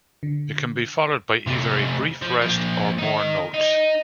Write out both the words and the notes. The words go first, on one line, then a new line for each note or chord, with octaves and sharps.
It can be followed by either a brief rest or more notes.
D3
C3 A3
F3
F3 A#3
D#4 A#4
D#4